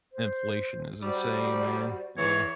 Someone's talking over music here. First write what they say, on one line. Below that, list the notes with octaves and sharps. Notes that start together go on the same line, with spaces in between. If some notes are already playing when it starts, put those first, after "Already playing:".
Inflation is insane, man, yeah.
C5
G3 F#4 C5 D5
E3 C#5